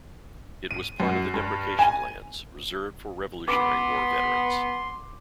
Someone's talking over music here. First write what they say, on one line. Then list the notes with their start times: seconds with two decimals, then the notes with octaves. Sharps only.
It was part of the Depreciation Lands reserved for Revolutionary War veterans.
0.71 D#7
1.00 F#2
1.34 G2
1.79 G#5
3.48 B3 C6 D6